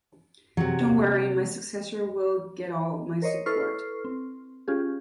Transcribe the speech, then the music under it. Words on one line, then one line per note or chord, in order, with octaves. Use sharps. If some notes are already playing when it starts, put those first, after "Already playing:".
Don't worry, my successor will get all my support.
C3 F#3
A#4 C5 C#5 D#5
E4 A4 B4 C#6 F6 C7
C4
C#4 F4 G4 G#4